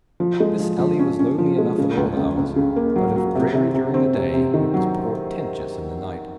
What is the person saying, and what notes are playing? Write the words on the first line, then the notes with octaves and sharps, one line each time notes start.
This alley was lonely enough at all hours; but if dreary during the day, it was portentous in the night.
F3
G#3
F3
F3
C#4
C#4
F3
G#3
C#3
C#2
C#2
C#2
C#3
A#3
F#3
F#3
C3
C3
C3
C4
C3
C3
D#3
F#3